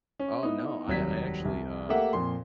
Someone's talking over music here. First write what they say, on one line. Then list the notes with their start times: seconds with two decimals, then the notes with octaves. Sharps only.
Oh, no. I I actually, uh,
0.19 C#4
0.42 B3 D#4 E4
0.88 F1 D#2 F#3 G3 G#6 B6
1.45 C2
1.89 A3 A#3 G4 E5 F#5
2.13 F2 A#2 C6